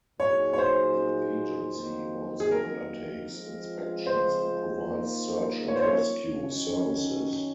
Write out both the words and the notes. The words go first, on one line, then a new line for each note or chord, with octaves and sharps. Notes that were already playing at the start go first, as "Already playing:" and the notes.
The agency also undertakes inspections and provides search and rescue services.
A#2 F#3 A#3 D#4 G#4 C#5
C#5
C5
F2 D#3 F#3 A#3
G#4
A#4
F3 G#3 C4 F4
C5
D#3 A#3 F4 A#4
C#5
C5
C#5
F#2 D#3 F#3 C#4